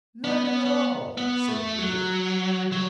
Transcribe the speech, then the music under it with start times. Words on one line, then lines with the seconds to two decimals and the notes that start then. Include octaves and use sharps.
"Not at all," said the Idiot.
0.24 B3
0.45 B3
0.65 B3
1.18 B3
1.48 A3
1.79 F#3
2.72 F#3